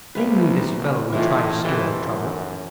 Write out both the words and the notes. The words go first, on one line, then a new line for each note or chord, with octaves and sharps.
They knew this fellow would try to stir up trouble.
C2 A#3 B4
F#1
A2 E3 G#3 F4
E3 G4 A4 C5
F#2